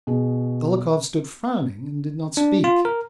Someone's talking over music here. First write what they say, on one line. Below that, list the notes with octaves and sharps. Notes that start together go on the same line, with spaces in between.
Dolokhov stood frowning and did not speak.
B2 G#4
D4
F4
A#4